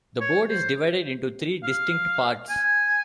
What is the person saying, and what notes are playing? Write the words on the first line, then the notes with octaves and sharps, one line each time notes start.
The Board is divided into three distinct parts.
C#5
C5
F5
G#5